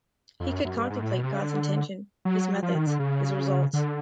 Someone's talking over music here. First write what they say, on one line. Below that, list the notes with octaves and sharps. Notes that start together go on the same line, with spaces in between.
He could contemplate God's intention, His methods, His results.
F2
F#2
F#2
G2
G#2
A2
B2
C3
C#3
D3
F#3
F3
D#3
D3
C#3
D3